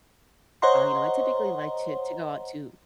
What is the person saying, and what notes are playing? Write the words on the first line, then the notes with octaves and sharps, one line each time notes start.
uh, you know, I typically like to to go out to
C5 C#5 D#5 F#5 A#5 C6